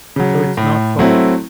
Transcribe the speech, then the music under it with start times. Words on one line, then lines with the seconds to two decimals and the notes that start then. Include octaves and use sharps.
"So it's not far?"
0.16 C#3 F#3
0.57 A2
0.99 F#3 A3 C4 E4